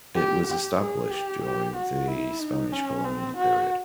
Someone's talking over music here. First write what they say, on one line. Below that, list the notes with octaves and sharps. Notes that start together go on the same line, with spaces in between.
It was established during the Spanish colonial period.
G4
G4
G#4
G4
G4
F#4
E4
D#4
C#4
C4
F#4